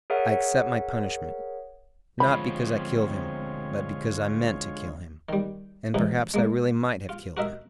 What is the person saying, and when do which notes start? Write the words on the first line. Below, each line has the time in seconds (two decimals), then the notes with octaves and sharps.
I accept my punishment, not because I killed him, but because I meant to kill him, and perhaps I really might have killed him.
0.10 G#4 A#4 C#5 E5 F#5
2.20 D2 F3 G#3 C4 F4 C#5 B5
5.29 D#3 G3
5.94 C#2 C3 E3 D#4
6.34 G#3 A#3
7.09 F4
7.37 F#4 A#4 D#5 E5